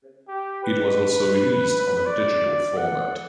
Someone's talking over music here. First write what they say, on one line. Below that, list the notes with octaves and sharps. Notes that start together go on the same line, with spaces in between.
It was also released on the digital format.
G4
B4
D5
F#5